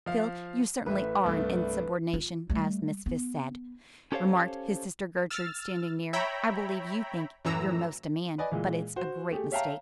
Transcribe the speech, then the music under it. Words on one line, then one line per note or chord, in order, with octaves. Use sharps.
"Phil, you certainly are an insubordination, as Miss Fisk said," remarked his sister Gertrude, standing near, "I believe you think you're 'most a man, but it's a great mistake."
F3 F5
A1 A3 B4 E5
C2 G2 A3
F4
G3 A3
B3
C#4 G4 A4 C5 C#5 F5
E6 F6 A6
C#5 E5 G5 A#5 B5
F#2 A2 E3 A#5 E6
B4 D5 D#5 G#5
A#2 E3 G#3
F#4 C5
A3 G4 G#4
C#5 E5 F5 G5 A5 A#5